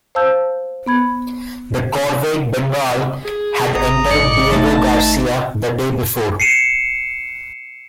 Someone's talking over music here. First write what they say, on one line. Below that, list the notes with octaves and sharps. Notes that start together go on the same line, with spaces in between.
The corvette "Bengal" had entered Diego Garcia the day before.
C5 F5 A5 E6 G6
B3 B5 G#6
G#4
G#1 A#5 D#6
G#2 D5 D#5 D6 C#7
A3 D#4 B4 D#5 A5
C7 C#7 D#7 E7